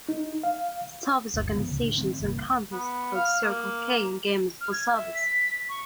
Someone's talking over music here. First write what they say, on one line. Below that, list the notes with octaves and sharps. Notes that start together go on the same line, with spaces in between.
Service organizations on campus include Circle K and Gamers for Service.
D#4
F5
G1 D2
G#2 D3 F3 B3
C#2
A2 D3 D#3
D#3 A3 C4
G1 C2 A#3
B3
F5
A#3
F6
G#6
E5
B6
C#6